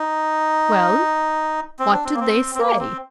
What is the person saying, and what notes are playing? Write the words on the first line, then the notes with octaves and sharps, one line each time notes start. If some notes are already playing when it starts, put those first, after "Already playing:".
"Well, what did they say?"
Already playing: D#4
C4
D4
C4
A#3
C4
C4
A#3
C4